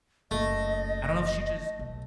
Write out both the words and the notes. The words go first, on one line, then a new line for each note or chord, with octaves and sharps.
I don't know if she, just
F#1 A3 D#5
B1